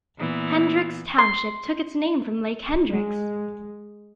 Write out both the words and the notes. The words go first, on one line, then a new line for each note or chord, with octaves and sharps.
Hendricks Township took its name from Lake Hendricks.
A#2 E3 B3
C6
G#3